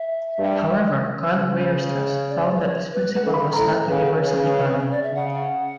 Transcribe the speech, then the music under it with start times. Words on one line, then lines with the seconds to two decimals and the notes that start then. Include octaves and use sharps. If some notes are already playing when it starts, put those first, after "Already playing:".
However, Karl Weierstrass found that this principle was not universally valid.
Already playing: E5
0.38 G2
1.33 C#3
2.29 D5
2.56 B4
2.60 C#5
2.92 B4
3.13 B4
3.23 C#3 A4
3.55 A2 A4
3.86 C#3 B4
4.19 C#3
4.78 C#5
4.90 D5
5.02 E5
5.13 C#3 F#5